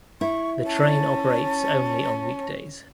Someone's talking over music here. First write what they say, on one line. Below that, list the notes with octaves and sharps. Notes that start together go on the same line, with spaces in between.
The train operates only on weekdays.
E4 C#6
C#4 A5